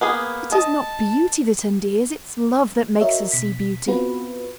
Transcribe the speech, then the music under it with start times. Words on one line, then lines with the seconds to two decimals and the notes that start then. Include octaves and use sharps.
It is not beauty that endears, it's love that makes us see beauty.
0.01 A#3 B3 G#4
0.52 D#5 A5
3.01 F#4 A#4 C#5 D#5 E5
3.32 B2 B6
3.87 B3 C4 F4 F#4 B4